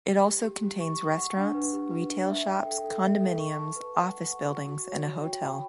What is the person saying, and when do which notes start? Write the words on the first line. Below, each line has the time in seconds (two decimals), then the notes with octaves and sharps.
It also contains restaurants, retail shops, condominiums, office buildings, and a hotel.
0.07 G4
0.26 G4
0.44 G4
0.63 G4
0.80 C#6
0.99 C#6
1.18 F#5
1.37 D4
1.54 B4
1.73 G4
1.91 B4
2.10 D4
2.28 E5
2.47 G5
2.65 A4
2.84 A4
3.02 E5
3.20 A4
3.39 C#6
3.58 A5
3.76 B4
3.95 F#5
4.13 F#5
4.32 C#6
4.50 F#4
4.69 F#4
4.87 C#5
5.06 F#4
5.24 G5
5.42 B5